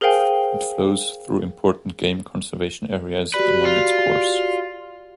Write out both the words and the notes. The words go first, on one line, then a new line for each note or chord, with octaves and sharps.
It flows through important game conservation areas along its course.
G#4 A#4 C5 F5 G5 G#5
F#4 G4 B4 D5
F4